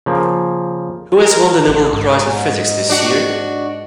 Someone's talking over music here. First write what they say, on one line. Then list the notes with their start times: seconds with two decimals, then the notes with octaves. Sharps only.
Who has won the Nobel Prize in Physics this year?
0.06 C#3 F3 A#3
1.21 A#4
1.67 A1
1.93 G#2
2.89 D4 F#4